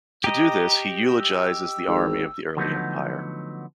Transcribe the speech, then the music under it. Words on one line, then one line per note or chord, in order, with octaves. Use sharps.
To do this, he eulogises the army of the early Empire.
G4 D#5 A#5
E6
G#1
D3 F3 F#3 A3 B3 D#4